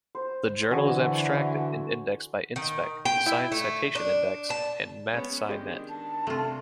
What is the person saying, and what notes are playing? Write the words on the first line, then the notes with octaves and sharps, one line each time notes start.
The journal is abstracted and indexed by Inspec, Science Citation Index, and MathSciNet.
C5
D3 E3 F#4 G#5 A5
D#3
G5
E4
A3
D4
A5
G#3 B3 C#4
D#3 G#3 D4 G4 D#5
A5
C3 A3 F4